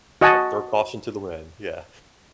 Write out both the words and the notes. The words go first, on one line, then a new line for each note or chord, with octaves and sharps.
Like, throw caution to the wind, yeah.
F#4 D#5 F#5 G#5 A5